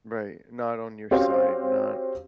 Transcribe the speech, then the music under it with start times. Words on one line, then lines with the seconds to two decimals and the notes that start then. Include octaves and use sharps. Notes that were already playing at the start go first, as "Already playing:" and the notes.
Right, not on your side, not
1.11 C4 C#4 F#4 G4 C5 F5